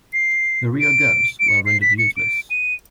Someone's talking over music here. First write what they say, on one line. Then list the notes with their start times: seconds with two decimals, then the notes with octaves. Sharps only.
The rear guns were rendered useless.
0.13 C7
0.80 D7
1.40 D7
1.48 C#7
1.66 C7
1.82 B6
1.98 C#7
2.17 D7
2.50 D#7